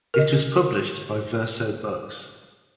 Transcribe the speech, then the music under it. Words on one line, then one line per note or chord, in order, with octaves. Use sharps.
It was published by Verso Books.
A#4 D#5